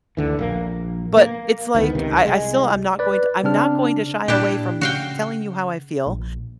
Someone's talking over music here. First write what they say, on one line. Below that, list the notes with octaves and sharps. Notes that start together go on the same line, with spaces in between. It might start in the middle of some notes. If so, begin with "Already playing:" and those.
but it's like, I I still am not going to I'm not going to shy away from telling you how I feel,
D2 D3 E3
A#1 A#3
A#3
D2 D#3 E3 B3
C#2 C3 D#3
C2 G#3
B4 D5
C#3 C4 D4 F6
A#2 D4 E4 G4
C#3 F#4 F5 G5
A#1